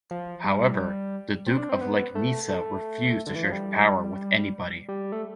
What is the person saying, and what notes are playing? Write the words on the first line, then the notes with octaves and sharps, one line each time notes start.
However, the Duke of Legnica refused to share the power with anybody.
F3
G3
C4
D4
C4
B3
A3
A3
D3
E3
F3
G3
G3
A3